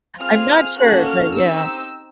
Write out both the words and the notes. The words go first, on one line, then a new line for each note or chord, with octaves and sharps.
I'm not sure, but yeah.
C4 F4 G#4 F6
A#3 C#4 F#4 A4 F#6
F6
C4 D#4 G4 E6